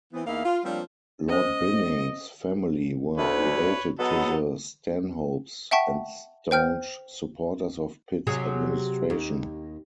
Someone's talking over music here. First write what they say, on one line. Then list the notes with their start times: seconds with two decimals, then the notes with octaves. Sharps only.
Lord Binning's family were related to the Stanhopes and staunch supporters of Pitt's administration.
0.13 E3 B3 C4
0.27 E2 A#3 D#4 E4 F5
0.45 F4
0.65 F3 G3 A#3 C4 D4 C#5
1.29 C#4 C5 D#5
3.17 D2 B4 C#5
3.99 F#3 G#3 B3 D#4 A4
5.71 E5 F#5 G5 A5 C#6 B6
6.51 C5 G5 F6 G6
8.27 C3 F#3 G#4
9.10 D#2